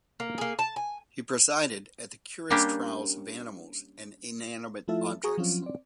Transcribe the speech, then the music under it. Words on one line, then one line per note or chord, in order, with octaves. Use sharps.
He presided at the curious trials of animals and inanimate objects.
A#3
A#3 G#4
A5
G#5
G3 A#3 C#4 D4 G4
F3 A3 E4 F4 A4 E5
F#4 G#4 A#5 C#6 D#6
F3 F#3 C4 C#4 F4
C4 D5